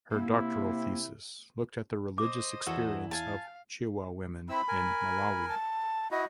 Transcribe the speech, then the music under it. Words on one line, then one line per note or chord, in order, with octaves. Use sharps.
Her doctoral thesis looked at the religious experience of Chewa women in Malawi.
C3 A#3 E4
C5 D#5 D6
E2 E4 F#4 G#4 A4
F5 G#5 A5
C4 E4 B5 E6
A#4 G#5
A5
E4 F#4 D#5